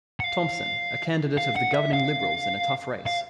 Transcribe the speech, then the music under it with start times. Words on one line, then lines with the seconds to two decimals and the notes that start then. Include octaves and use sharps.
Thompson a candidate of the governing Liberals in a tough race.
0.20 F#5
0.24 F5
1.38 F5
1.56 F#5
1.74 E5
1.94 F5
3.07 F5